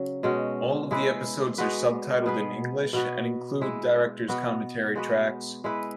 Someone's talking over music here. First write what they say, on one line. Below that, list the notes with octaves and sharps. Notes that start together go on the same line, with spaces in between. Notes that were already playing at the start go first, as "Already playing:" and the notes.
All of the episodes are subtitled in English and include director's commentary tracks.
Already playing: C#3 F#3
B2 G#3 C#4 F#4
G#3 E4 G#4 B4
G#3 B3 F#4 B4
B2 B3 G#4 B4
B2 B3 F#4 B4
G#3 E4 B4
B2 B3 F#4
G#3 B3 F#4 B4
G#3 E4 B4